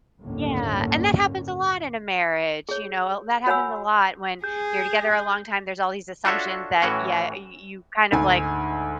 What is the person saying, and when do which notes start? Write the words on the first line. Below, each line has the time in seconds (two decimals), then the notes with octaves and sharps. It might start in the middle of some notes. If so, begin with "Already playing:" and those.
Yeah, and that happens a lot in a marriage, you know? Li That happens a lot when you're together a long time, there's all these assumptions that Yeah, uh, you you kind of, like,
0.21 G1 D#2 A2 D3 A#3 C#4
2.69 G#4 C#5
3.46 F#4 C#5 F#5 G#5 B5 E6
4.44 G#4 G6
6.25 D4 F4 F#4 A4 C#5 E5
6.82 A2 E3 C#4 F#4
8.12 D2 G#2 G#5